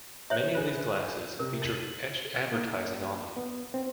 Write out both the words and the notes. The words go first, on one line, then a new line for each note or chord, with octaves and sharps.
Many of these glasses feature etched advertising on them.
C5 C#5 E5
G#4 B4 C5
C3 A#4
A6 D#7 F#7
A#3
B3
C4